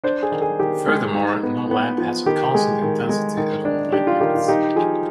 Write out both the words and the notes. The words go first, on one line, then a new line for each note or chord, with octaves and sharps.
Furthermore, no lamp has a constant intensity at all wavelengths.
D4 C5
G#4
D#3
G#4
D#3 G4
G#3
D#4
B3
B3
F3
D#3 G4
G#3 G#4
D#3
G#3
D#3
D4
D4 G4
F4
D#3 G4
F4
D#4 G4
F3 G#4